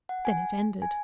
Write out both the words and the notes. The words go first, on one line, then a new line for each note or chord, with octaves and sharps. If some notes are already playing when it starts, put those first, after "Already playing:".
Then it ended.
F#5
G#5
G#5